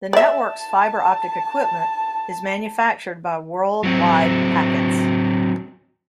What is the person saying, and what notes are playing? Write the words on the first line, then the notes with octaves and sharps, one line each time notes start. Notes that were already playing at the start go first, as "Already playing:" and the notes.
The network's fiber optic equipment is manufactured by World Wide Packets.
D5 E5 A5
F#3 C4